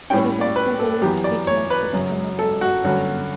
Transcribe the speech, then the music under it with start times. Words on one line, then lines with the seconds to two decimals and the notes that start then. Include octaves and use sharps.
It is also believed to be connected to the Maguire clan.
0.10 A2 G3 C#4 G5
0.41 D5
0.56 B4
0.79 A4
1.02 F#2 E3 B3 G4
1.24 D5
1.47 C#5
1.70 B4
1.93 F#2 C#3 F#3 C#4
2.39 A4
2.61 F#4
2.84 G2 D3 F#3 C#4 F#4